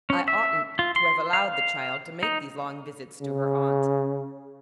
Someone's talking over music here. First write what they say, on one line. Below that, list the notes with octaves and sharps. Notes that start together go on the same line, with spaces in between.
I oughtn't to have allowed the child to make these long visits to her aunt.
C#4
E5
F4
C6
F5
D#4
C#3